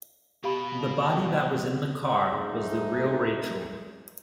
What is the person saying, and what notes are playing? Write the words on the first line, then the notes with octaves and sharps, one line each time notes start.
The body that was in the car was the real Rachael.
B2 G4 F5 B5
G#2 G#3 A3 D#4